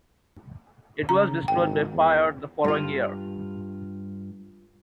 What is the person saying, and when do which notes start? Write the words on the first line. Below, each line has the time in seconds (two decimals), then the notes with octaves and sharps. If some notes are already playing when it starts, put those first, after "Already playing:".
It was destroyed by fire the following year.
1.09 C#3 A#5
1.48 G#1 G5
1.94 E2
2.64 G2 F4